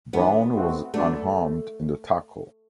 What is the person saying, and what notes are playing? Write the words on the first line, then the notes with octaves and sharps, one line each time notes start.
Brown was unharmed in the tackle.
E3 A3 B3 D4
B2 A3 C4 F#4
D3 F#3 A3 B3 D4